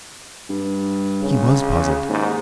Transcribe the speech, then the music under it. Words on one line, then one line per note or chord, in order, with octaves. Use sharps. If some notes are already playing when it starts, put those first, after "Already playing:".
He was puzzled.
G2
C#3
D#2 G#2